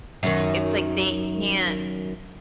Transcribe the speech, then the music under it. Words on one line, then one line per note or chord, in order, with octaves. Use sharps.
It's, like, they can't
F#2 D#3